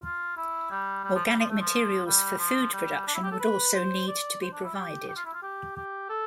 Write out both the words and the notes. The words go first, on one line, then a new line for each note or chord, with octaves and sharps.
Organic materials for food production would also need to be provided.
F4
E4
G3
G3
F3
G3
F3
A3
F3
G3
F3
G3
D4
E4
G4
A4
B4
C5
D5
C5
D4
E4
G4
G4
F4
E4
F4
G4
G4
A4